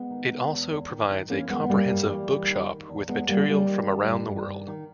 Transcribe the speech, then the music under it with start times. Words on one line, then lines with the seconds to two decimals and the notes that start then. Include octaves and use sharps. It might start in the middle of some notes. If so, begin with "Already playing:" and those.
It also provides a comprehensive bookshop with material from around the world.
Already playing: G#3 B3
0.11 D#3
0.30 D#3
0.51 E2
0.70 E2
0.90 D#3
1.10 D#3
1.29 E3 A#3 C#4
1.49 E3 G#3 B3
1.64 B3
1.69 G2 G3 A#3
1.89 G2
2.09 E3
2.29 E3
2.49 D#3
2.69 D#3
2.88 E2
3.08 E2 G#3 B3
3.28 D#3 G3 A#3
3.48 D#3 G3 A#3
3.68 D#3
3.88 D#3
4.08 G2
4.28 G2
4.47 D#3
4.67 D#3